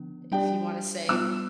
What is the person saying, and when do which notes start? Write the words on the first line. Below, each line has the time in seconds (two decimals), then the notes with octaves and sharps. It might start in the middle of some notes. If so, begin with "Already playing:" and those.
if you want to say.
Already playing: D3 F3 B3 D4
0.32 G3 D4 G4 D5 G5
1.09 G3 B3 F4 E6